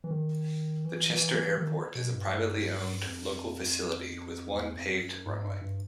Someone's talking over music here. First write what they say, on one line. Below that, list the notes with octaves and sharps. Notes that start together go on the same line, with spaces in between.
The Chester Airport is a privately owned local facility with one paved runway.
E3
D#3
E3
E3
E3
D#3
B2
G2
F2
E2
F2
F#2
G#2
G2
G2